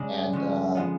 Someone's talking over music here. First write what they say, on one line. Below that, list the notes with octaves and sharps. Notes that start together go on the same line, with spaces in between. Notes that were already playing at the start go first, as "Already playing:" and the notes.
and, uh
Already playing: C#3 G#3 D4
D3 F3 G#3 C#4
F3 G#3 B3